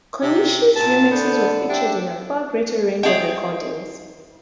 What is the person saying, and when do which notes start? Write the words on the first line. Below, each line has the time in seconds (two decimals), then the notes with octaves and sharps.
Konishi's remixes are featured in a far greater range of recordings.
0.22 C3
0.76 A#2 A5
1.11 D3 B3 C5
1.69 D4 G4 E5
3.03 G#4 D#5 E5 G5